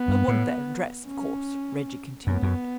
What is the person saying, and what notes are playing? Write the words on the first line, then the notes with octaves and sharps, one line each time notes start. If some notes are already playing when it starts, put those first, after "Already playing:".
"I want their address, of course," Reggie continued.
Already playing: B3
G2
A2
C#4
F#2 B3
F#2